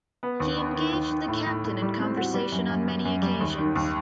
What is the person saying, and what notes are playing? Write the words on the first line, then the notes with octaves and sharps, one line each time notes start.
He engaged the captain in conversation on many occasions.
B3
D#2
B3
D#3
D#2
D#3
A2
A2
A2
G3
C4
F#4
G3
F#2
F#2
F#2
F#2
G3
D#2
D#3
D#2